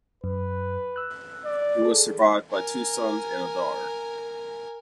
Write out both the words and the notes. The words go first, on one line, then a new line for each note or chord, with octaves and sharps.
He was survived by two sons and a daughter.
F#2 B4
E6 F#6
D5
G#4 A4
A#4 G#5